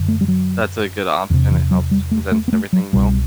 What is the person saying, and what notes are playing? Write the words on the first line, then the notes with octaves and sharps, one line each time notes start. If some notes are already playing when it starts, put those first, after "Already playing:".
That's a good option, it helps condense everything well.
Already playing: F#2 D3
A3
G3
F#3
E2 C3 D3
E3
F#3
G3
A3
A3
B3
A3
F#3
C2 B2 G3